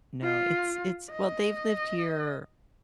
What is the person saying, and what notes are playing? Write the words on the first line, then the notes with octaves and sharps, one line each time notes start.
No, it's it's Well, they've lived here,
F4
D#5